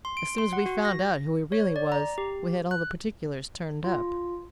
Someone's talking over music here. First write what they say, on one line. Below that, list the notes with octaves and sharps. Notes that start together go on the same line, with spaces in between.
As soon as we found out who he really was, we had all the particulars turned up.
C6
D7
C6
F#5
F#4
A#6
C#5
D5
A#5
G4
F#6
F4